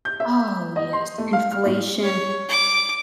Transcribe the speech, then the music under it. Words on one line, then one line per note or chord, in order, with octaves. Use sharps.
Oh, yes, inflation.
G6
E5
D#5
C6
A3
F5
F6
A2
C#5
D6